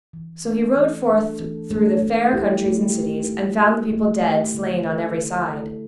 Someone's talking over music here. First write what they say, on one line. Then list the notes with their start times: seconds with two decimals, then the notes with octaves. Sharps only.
So he rode forth through the fair countries and cities, and found the people dead, slain on every side.
0.13 E3
0.44 A3 D4 A4
0.76 E3
1.07 A3 D4 A4
1.40 E3
1.70 A3 D4 A4
2.02 A3
2.33 E4 G4
2.66 A3
2.97 E4 G4
3.28 A3
3.60 E4 G4
3.91 A3
4.23 E4 G4
4.54 D3
4.85 A3 E4 A4
5.17 D3
5.49 A3 E4 A4